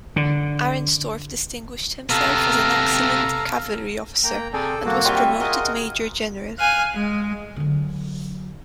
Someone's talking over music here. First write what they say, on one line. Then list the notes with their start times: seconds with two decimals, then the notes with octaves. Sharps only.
Arenstorff distinguished himself as an excellent cavalry officer and was promoted Major General.
0.16 D3
2.10 C3 B3 A4 F5 A#5
4.24 A#3 G5 A#5
4.53 C3 G#4 A4 D5 G5
4.85 G2 D3 A#3 F#4
5.05 G3 C4 F4 E5 G5 G#5
5.40 F#4 G#4 A#4 D#5
6.59 F5 G#5 F#6
6.94 G#3
7.56 D3 F#3